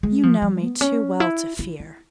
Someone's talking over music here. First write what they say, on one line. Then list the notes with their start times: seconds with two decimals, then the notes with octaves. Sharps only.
'You know me too well to fear.'
0.03 G#3
0.23 F3
0.42 F3
0.61 B3
0.81 C#4
1.20 E4
1.59 E4
1.80 E4